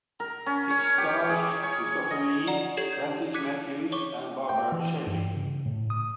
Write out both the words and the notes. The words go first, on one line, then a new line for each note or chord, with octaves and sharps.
It stars Christopher Lee, Francis Matthews, and Barbara Shelley.
A#4
C#4
C#5
G4
G#4
C#5
D#5
D5 F#5 A#5
G4 A4 C#5 G#6 C7 F#7
G6
D6 F#6 G#6 B6 C#7 D#7
C#5 C#6 D6
G5
E3
G2
C#3
A2
D#6